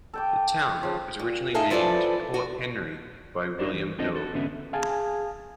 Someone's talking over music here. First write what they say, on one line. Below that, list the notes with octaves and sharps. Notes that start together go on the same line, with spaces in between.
The town was originally named "Port Henry" by William Hill.
A4 G5 D6
C#3 F3
A#2
D#4 G#4 A4 E5 F5
E3 F3 A4 B4 C#5 D5
F#4
D4 E4 F#4 A#4 C5 D5
E2
C4 D4 F4 A4 C5 D#5
F#4 A4
G#2 D3 B3 C#4 B4 E5
G#4 F5 G#5 A5